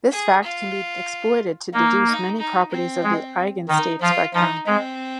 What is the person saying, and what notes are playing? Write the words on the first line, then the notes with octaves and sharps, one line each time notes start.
This fact can be exploited to deduce many properties of the eigenstate spectrum.
G#4
F4
A#3 D#4
D#4
D#4
C4
G#3
D#3 D#4
F3 F4
F3 D#4
G#3 C4